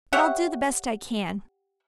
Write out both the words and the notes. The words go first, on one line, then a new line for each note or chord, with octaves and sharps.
But I'll do the best I can.
G4 C#5 E5 F#5